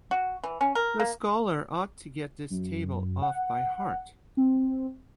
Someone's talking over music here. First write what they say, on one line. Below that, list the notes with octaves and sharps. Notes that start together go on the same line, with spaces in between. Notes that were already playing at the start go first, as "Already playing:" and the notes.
The scholar ought to get this table off by heart.
F#4
E3
C#4
A#4
A#3
F#2
F#5
C4